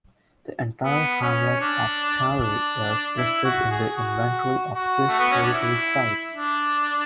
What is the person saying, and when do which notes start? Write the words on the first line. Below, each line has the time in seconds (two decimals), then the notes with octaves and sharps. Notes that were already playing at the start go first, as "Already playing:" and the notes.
The entire hamlet of Carre is listed in the Inventory of Swiss Heritage Sites.
0.83 B3
1.22 C#4
1.61 D4
2.40 D4
3.17 E4
3.44 F#4
3.71 G#4
3.97 F#4
4.75 F#4
5.08 A3
5.19 B3
5.31 C#4
5.43 D4
5.53 E4
6.32 D4